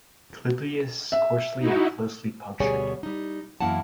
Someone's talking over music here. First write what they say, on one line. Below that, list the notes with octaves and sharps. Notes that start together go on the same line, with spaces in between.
Clypeus coarsely and closely punctured.
E5
D#4 E4 F#4
D2 B2 G3 G#4 C#5 G#5
G3 D#4
F#2 E3 A#3 E4 F#5 A5